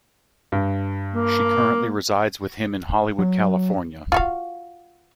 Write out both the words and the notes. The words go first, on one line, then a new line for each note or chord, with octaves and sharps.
She currently resides with him in Hollywood, California.
G2
A#3
F#3
F4 F#4 F5